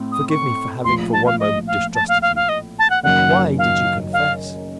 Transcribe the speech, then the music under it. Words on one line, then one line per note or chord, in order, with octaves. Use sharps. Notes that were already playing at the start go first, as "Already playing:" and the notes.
Forgive me for having for one moment distrusted you. Why did you confess?
Already playing: A2 C4
D#6
C#6
A#1 A2 F3 C6
A5
F5
D#5
F5
A5
F5
F5
F5
D#5
A5
F#5
F#1 F#2 D#3 F#3 F#5
F5
F5